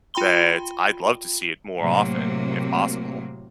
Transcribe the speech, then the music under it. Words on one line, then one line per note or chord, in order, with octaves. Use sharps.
that I'd love to see it more often, if possible.
F4 G5 B5 C6 G7
A2 C3 F#3 A#3